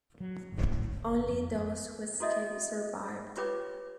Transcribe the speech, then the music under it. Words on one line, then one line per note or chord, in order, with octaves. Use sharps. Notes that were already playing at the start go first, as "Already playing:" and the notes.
Only those who escaped survived.
F#3
G1
A2
G1
F2
F2
E4 F#4 A4 D#5 E5
F4 G4 B4 C#5 G5 D6